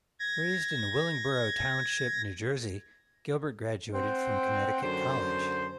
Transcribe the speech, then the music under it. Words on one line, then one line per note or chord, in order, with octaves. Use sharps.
Raised in Willingboro Township, New Jersey, Gilbert graduated from Connecticut College.
G#6 A#6
C4 C5 F#5 G5
F#2 D3 C5